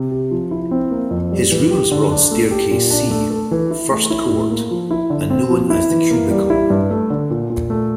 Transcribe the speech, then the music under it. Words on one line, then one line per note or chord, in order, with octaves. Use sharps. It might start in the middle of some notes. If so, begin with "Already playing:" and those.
His rooms were on staircase C, First Court, and known as the 'Q-bicle'.
Already playing: C3
G4
F3
E4
C4
A#3
F2
G3
E3
G4
D3
D4
A3
G4
A#2
D4
A3
A4
E3
E4
A3
E4
A2
A#3
F3
E4
D3
C4
F3
E4
E3
A#3
G3
E4
G2
A3
D3
A#2
A#2
A3